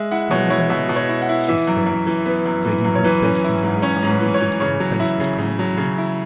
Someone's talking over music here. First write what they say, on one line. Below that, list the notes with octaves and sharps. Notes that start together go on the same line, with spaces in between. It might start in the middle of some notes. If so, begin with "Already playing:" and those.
"Go away!" she said, digging her fist into her eyes until her face was calm again.
Already playing: G#3 E5
E4 F#5
B2 C#5
E4 C#5
B2 E5
B2
C#5
E4
F#5
E4
E3 E5
F#2
F#2
E3
B3
F#2
E3
F#2
C#5
E3 B4
C#4
E4
G#2
C#4 C#5
G#2
B4
E3
C#5
E3
C#3 C#5
F#3
E4
C#3
C#3
F#3
C#3
E4